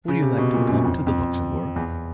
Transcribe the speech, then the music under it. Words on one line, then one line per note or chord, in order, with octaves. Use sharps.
"Would you like to come to the Luxembourg?"
C#3
C3
B2
A#2
F#2
F2
F2
E2